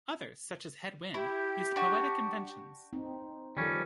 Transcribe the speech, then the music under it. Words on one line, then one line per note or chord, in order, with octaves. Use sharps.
Others, such as Hedd Wyn, used poetic inventions.
E4 G4
D4 F#4
C4 D#4
D#3 F3 G3 C#4 A4